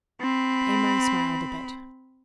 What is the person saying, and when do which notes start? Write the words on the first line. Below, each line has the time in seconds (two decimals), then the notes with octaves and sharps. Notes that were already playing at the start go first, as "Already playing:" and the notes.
Amory smiled a bit.
0.20 C4 B5